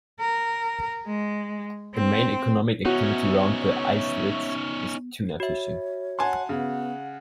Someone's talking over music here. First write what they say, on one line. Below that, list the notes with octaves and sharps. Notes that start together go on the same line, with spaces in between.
The main economic activity around the islets is tuna fishing.
A#4
G#3
C4
B3 C#4 D#4 F#4 C#5 E5
F#4 C#5 E5
F#5 G#5 A5 C6
C#3 B3 F#5